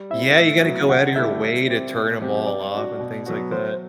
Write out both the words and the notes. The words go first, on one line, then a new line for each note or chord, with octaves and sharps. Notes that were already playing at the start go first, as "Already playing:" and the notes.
Yeah. You gotta go outta your way to turn 'em all off and things like that.
Already playing: G3
C4 E4 E5
A2 E5
F#3 B3 F#4
D3 F#5
A3 E4 G4 E5
G3
C4 G4
B2
F#3 C4 G4
G3 D5
D4 F#4
B2
F#3 B3 F#4
F#3 C5